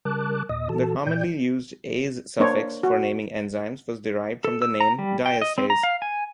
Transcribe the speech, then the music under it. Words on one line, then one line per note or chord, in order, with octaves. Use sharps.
The commonly used -ase suffix for naming enzymes was derived from the name diastase.
C#3 G3 A#4 A5 D6 F#6
D#2 A#2 D#5 D#6
A#2 E3 F#4 A4 A5
A#2 E3 D5 G5 G6
A#3 D4 C5 C#5
F#4
A4
E6
A#5
G3
G5
D#5
C4
A#5
F5
G#5